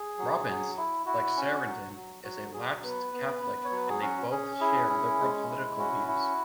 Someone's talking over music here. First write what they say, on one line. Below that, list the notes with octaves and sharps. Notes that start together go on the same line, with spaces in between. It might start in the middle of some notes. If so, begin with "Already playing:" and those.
Robbins, like Sarandon, is a lapsed Catholic, and they both share liberal political views.
Already playing: G#4
F#3
F#3
E4
E4 F#4
C#4
F#3
F#3
F#3 F#4
F#3 G#4
B3 B4
B3
B3
C#5
F#3 B4
G#4
C#4 F#4
C#4 G#4
E4 G#4
C#4
G#3
E4
C#4 F#4
E4